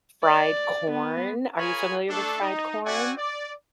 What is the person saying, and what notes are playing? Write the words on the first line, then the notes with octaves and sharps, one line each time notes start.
fried corn." Are you familiar with fried corn?
D5
B3
F4 G#4 A#4 C#5 G#5 B5
A3 D4 A4
D#4
C4 F#4 D5 F#5 G#5
D5